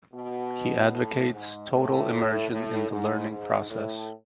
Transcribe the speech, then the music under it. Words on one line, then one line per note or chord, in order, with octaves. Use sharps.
He advocates total immersion in the learning process.
B2
A2
G#2
A2
A2
G#2
G#2
A2